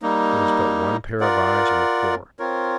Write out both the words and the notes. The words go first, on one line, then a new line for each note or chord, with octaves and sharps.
There was but one pair of eyes in the corps.
G3 A#3 D#4
F4 A#4 D5 F#5
C4 F4 A#4 C#5